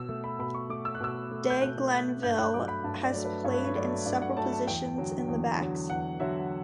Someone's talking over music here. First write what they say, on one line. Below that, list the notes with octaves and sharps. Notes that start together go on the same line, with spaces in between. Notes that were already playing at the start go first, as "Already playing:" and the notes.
De Glanville has played in several positions in the backs.
Already playing: B2 E6
A3
B5
B2 B5
C#6
A3 D6
E6
F#6
B2 E6
A3
G6
B2 F#6
A3 F#6
G2 G6
F#6
F#3 A3 D6
B5
G2 A5
D5
F#3 A3
B4
G2 C#5
B4
C#5
F#3 A3 D5
G2 D5
F#5
F#3 A3 A5
A5
E2 G5
D3 F#3
E2
D3 F#3
E2 F#5
D3 F#3 E5